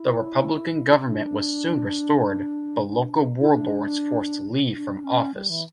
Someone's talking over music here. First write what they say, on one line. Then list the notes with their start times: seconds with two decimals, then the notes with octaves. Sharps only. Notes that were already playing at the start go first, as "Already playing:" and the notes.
The Republican government was soon restored, but local warlords forced Li from office.
Already playing: E4
1.04 D4
3.41 E4
3.50 D4
4.74 D4
5.03 C#4
5.34 G3
5.49 E3